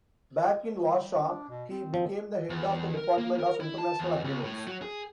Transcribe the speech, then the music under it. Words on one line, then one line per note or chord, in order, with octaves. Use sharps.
Back in Warsaw, he became the head of the department of international agreements.
G3
D4
B2
C4
F3
E2
A#4
A#3
A#4
E4
A5
E2
C#2
A2
F#3
G#4